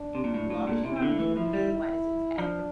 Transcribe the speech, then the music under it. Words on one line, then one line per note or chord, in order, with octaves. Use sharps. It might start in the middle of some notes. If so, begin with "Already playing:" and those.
"Long as you know I'm a human being, why does it matter?
Already playing: D4
C3
A#2
A2
A2
A#2
C3 E4
C3
D3
E3
F3 E4
G3
F3 D4